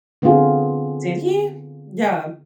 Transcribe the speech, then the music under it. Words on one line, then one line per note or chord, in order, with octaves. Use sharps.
Did he? Yeah.
D3 B3 C4 F4 G#4